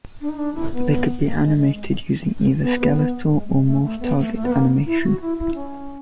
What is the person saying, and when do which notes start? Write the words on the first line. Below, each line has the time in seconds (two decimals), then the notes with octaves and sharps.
They could be animated using either skeletal or morph target animation.
0.21 D4
0.29 D#4
0.38 D4
0.55 E4
0.72 B3
1.24 A#3
1.42 G#3
1.59 G#3
2.62 B3
2.79 B3
2.97 B3
3.32 G#3
3.49 G#3
3.66 A3
3.84 A3
4.00 B3
4.18 A3
4.34 A3
4.45 B3
4.52 A#3
4.86 E4
5.04 F#4
5.21 E4
5.38 E4
5.55 C#4